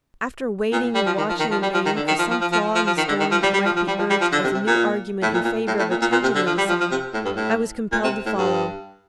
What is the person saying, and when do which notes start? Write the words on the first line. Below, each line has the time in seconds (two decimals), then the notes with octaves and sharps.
After waiting and watching in vain for some flaw in the storm that might be urged as a new argument in favor of attempting the descent, I was compelled to follow.
0.72 A#2
0.95 G3
1.06 F3
1.18 D#3
1.29 F3
1.40 D#3
1.51 F3
1.62 G3
1.74 F3
1.85 D#3
1.96 D3
2.08 D#3
2.19 F3
2.30 F3
2.41 F3
2.52 F3
2.75 F3
2.86 F3
2.97 D#3
3.08 D3
3.20 D#3
3.31 F3
3.43 G3
3.53 G3
3.65 F3
3.76 F3
3.87 G3
3.98 F3
4.10 G3
4.21 F3
4.32 D3
4.44 C3
4.54 C3
4.67 A#2
5.22 A2
5.34 A#2
5.45 A#2
5.67 A2
5.79 A2
5.90 A#2
6.01 A#2
6.12 A#2
6.23 C3
6.35 D3
6.46 F3
6.58 G3
6.69 F3
6.80 F3
6.91 C3
7.14 A2
7.25 G2
7.36 A2
7.92 A#2
8.04 C3
8.26 A2
8.38 G2